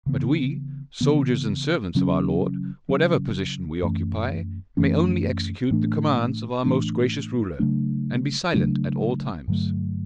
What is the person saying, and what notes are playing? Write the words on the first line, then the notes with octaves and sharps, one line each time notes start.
But we, soldiers and servants of our lord, whatever position we occupy, may only execute the commands of our most gracious ruler, and be silent at all times.
C#3 E3 B3
C#3 E3 B3
C#3 F#3 C#4
C#3 F#3 C#4
F#2 E3 A3 C#4
F#2 E3 A3 C#4
A2 E3 A3 D4
A2 E3 A3 D4
C#3 F#3 A3 D4
C#3 F#3 A3 D4
G2 D3 F#3 A3